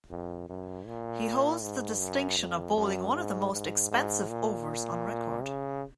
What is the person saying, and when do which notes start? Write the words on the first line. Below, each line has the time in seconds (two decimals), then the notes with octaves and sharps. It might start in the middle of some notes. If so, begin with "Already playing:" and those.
He holds the distinction of bowling one of the most expensive overs on record.
0.10 F2
0.49 F#2
0.86 A#2
1.63 G#2
2.00 F#2
2.38 F2
2.77 F#2
3.14 G#2
3.52 G#2
3.91 G#2
4.29 A#2
5.43 C#3